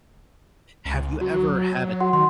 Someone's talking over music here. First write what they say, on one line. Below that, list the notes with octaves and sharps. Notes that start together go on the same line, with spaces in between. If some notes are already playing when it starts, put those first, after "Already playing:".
have you ever had a
C#2
F#3 F#4
F#4 F#5 C6
D#3 C6